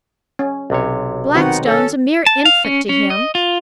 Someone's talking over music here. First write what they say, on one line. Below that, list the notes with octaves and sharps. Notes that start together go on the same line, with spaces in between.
Blackstone's a mere infant to him.
C#4
B1 C3 C#5
D#3 B3 C4 D#4 F#4 F#5
C#4 A4
A5
F5
C#4
C#4
D#5
F4